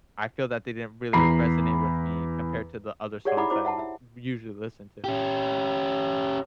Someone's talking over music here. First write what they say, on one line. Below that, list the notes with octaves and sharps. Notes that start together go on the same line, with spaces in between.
I feel that they didn't really resonate with me compared to the other songs that I would usually listen to.
E2 A#5 B5 C7
G4 G#4 C#5 D5 F#5
D#4 E4 E5 F#5 B5 D6
E4 F#4 C5 D6
E5 F#5 A5
E5
C#4 G4